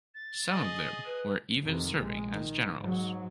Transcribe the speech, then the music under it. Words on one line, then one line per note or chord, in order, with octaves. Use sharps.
Some of them were even serving as generals.
A6
G#4 D#5
B4
F2 C3 D#3
A#1 G#3
D#3
G#2 F#3